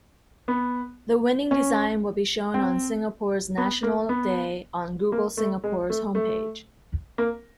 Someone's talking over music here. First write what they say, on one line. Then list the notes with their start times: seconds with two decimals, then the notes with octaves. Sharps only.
The winning design will be shown on Singapore's National Day on Google Singapore's homepage.
0.48 B3
1.51 C#4
2.54 C4
3.58 B3
3.83 A#3
4.09 B3
5.12 A#3
5.37 A3
5.64 G#3
5.90 A3
6.15 A3
7.18 A#3